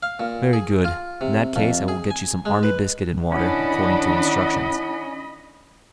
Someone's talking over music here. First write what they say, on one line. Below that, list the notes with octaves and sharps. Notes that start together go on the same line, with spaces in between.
"Very good; in that case I will get you some army biscuit and water, according to instructions."
F5
A#2
G#4
F4
C3
F2
G#4
G#5
G#3
B4
D#3 C#4 D4 E4 D#5 F#5 B5